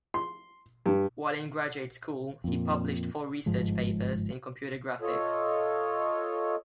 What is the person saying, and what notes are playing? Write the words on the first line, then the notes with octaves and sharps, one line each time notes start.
While in graduate school he published four research papers in computer graphics.
C6
G2
F2 A#2
G1 G#2 F3 G#3
F4 A4 C#5 D#5